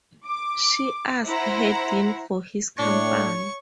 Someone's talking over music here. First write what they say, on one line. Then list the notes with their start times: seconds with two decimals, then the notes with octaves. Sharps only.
She asked Hedin for his company.
0.24 D6
1.25 E4 C5 F#5 A#5
2.79 A2 D4 C#5 C#6